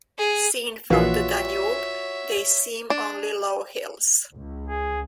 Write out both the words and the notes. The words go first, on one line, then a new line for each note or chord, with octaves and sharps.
Seen from the Danube, they seem only low hills.
G#4
A#1 E3 A#3 F4 F#4 B4 C#5 E5
D4
C#2
G#4